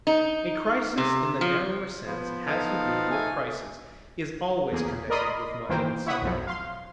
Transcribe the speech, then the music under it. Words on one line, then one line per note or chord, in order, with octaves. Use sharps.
A crisis in the narrower sense has to do with prices--is always connected with money in some way.
D#4
C3
F3
F3 B3
D#4 A4 F5
A3 G#5
E2 A#3 G#4
A#4 D5 D#5 B5 C6 D#6
G1 D#3 E3 A#3 C5 G5
E4 C#5 E5 F#5 B5 D#6
B1 F2 F3 F#3
F5 C6